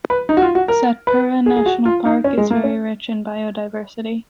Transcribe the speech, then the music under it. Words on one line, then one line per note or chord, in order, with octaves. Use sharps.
Satpura National Park is very rich in biodiversity.
B4
D#4
F#4
F4
F#4
A#4
B4
G#4
G#4
F#4
F4
D#4
C#4
G#3
A#3
C#4